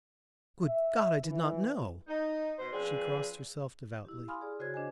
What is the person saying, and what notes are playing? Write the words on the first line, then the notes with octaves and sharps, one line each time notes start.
"Good God, I did not know!" She crossed herself devoutly.
E5
E3
D#4
B2 C5
F3 C4 D4 G#4 B4
E4 G4
F5 G#5 B5 C6 D#6 F6
G#4 D5
C#3 F#4 C5 C#5 G#6
D4 C5 D#5 G#5